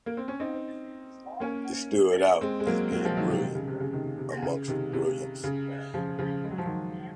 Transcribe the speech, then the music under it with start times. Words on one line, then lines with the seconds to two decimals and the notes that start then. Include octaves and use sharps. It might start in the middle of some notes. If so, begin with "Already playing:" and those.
It stood out as being brilliant amongst brilliance.
0.06 A#3
0.17 C4
0.28 C#4
0.40 C4 D#4
1.40 A#3 C#4
2.41 G#3 C4
2.60 G#3
2.67 F#3 A#3
2.92 F#3 A#3
3.04 F3 G#3
3.17 D#3 F#3
3.30 C3 D#3
3.42 C3 D#3
3.55 C#3
3.68 C3
3.80 C#3
3.93 C3 D#3
4.18 C3
4.42 C#3
4.68 C3 D#3
4.93 C3
5.44 C#3
5.94 C#3 F3
6.19 C#3 F3
6.44 G#3
6.51 F#3
6.58 F3
6.66 D#3 F#3